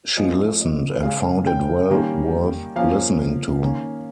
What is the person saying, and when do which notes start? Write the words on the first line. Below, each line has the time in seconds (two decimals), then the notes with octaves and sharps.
She listened, and found it well worth listening to.
0.17 F3 A#3 C#4 D#5
0.61 D#5
1.03 C#3 G#3 C#4 F5
1.47 G5
1.90 D#3 G3 A#3 C#4
2.76 F3 A#3 C#4 F5
3.62 D#3 A#3 C#4